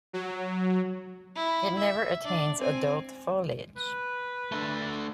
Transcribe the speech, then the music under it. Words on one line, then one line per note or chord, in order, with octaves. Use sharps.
It never attains adult foliage.
F#3
E4
E5
D4 D5
C4 G#5
B4
A3 D4